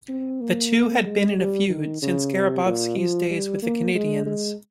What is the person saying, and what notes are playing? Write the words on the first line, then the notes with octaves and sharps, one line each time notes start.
The two had been in a feud since Grabovski's days with the Canadiens.
C4
A#3
G#3
G3
D#3
C#3
C3
A#2
F3
G3
A#3
G#3
G#3